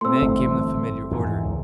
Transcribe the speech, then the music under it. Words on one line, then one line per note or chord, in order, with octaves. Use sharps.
Then came the familiar order.
A3 C4 C6 E6
G1 E3
E2 G#2 D#3
C#2